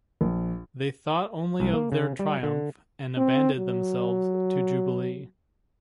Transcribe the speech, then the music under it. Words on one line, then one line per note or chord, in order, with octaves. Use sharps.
They thought only of their triumph, and abandoned themselves to jubilee.
A#1
C2
A#3
C#3
G3
D3
C4
F#3